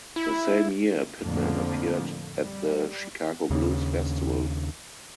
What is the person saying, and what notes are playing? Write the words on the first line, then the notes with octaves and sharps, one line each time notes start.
The same year Pittman appeared at the Chicago Blues Festival.
E4
F2 A2 D3 F3 A#3
G3
D#2 C#3